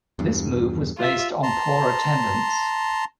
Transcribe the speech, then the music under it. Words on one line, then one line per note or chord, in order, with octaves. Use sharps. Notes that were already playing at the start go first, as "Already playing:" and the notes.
This move was based on poor attendance.
E2 G2
F4 E5
A5 A#5 C6